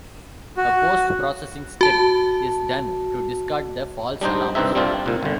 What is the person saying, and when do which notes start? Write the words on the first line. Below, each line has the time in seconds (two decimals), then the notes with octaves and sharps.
A post-processing step is done to discard the false alarms.
0.57 F#4
1.81 F#4 A5
4.21 G3 D4 D#4 C5
4.55 C2 G2 C4 D#4 E5
4.75 G3 C4 D4 F4
5.06 C2 A#2
5.23 G1 D3